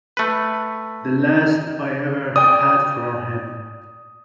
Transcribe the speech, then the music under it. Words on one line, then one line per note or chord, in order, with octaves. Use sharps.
The last I ever had from him.
A3 B4
D5 G5 D#6